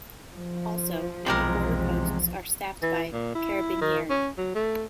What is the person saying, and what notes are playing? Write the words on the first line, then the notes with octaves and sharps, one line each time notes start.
Also, many border posts are staffed by "Carabinieri".
F3
B1 E2 C3 G3 G#3 G4 A#4
E3
A#2
E4
D#3
C#4
F#3
A3